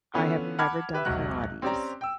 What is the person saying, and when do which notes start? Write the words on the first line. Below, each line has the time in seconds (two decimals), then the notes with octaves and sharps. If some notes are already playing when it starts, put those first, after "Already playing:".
I have never done Pilates.
0.14 D3 B3 C#4 F4 A4 B4
0.59 F#5 A5 B5 D6 F6 G#6
0.93 G4 B4 E5
1.05 E1 B1 C3 F#3 F#4 F#6
1.62 C4 C#4 G4 D5 A#5
2.01 G5 E6